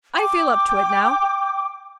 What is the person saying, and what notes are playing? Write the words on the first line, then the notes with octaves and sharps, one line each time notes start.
I feel up to it now.
G5 D6